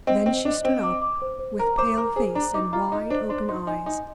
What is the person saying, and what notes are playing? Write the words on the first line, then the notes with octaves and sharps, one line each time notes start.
Then she stood up, with pale face and wide-open eyes.
C4 D#5
C4 C5
D4 D#5
C4 D#5
D6
D6
C5
C5
A#4 A#5
C5 D6
A#4 A#5
G#4 C5
D4 A#5
D#4 D6
F4 A#5
D#4 D#5
D4 C5
D4 C6
D#4 C6
D#4 G#5
D#4 G#5